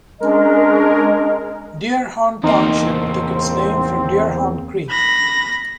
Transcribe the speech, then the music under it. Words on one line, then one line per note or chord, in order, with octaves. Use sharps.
Deerhorn Township took its name from Deerhorn Creek.
G#3 C#4 D4 A#4 D#5
E2 A#3 C4 D#4
B5 A#6